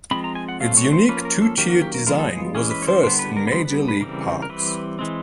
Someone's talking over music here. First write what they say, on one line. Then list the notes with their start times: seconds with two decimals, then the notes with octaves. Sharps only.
Its unique two-tiered design was a first in major league parks.
0.11 F3 G#3 C4 B5
0.24 A#5
0.35 G#5
0.49 F#5
0.60 F#3 A3 C4 F5
0.77 C#5
0.93 C5
1.09 F3 A#3 C#4 B4
1.25 A#4
1.42 A4
1.58 D#3 F#3 A#3 C#4 G4
1.70 F#4
1.82 G4
1.94 A#4
2.07 F3 G#3 B3 A#4
2.19 A4
2.31 G#4
2.55 E3 G#3 C#4 G#4
2.71 B4
2.82 C#5
2.88 C5
3.03 D3 G3 B3 C5
3.19 B4
3.37 A#4
3.47 B4
3.51 D3 G3 B3 C5
3.65 B4
3.88 B4
4.01 C#3 E3 G3 C4 A#4
4.42 A#4
4.49 E3 G3 C4 B4
4.99 E3 G#3 C4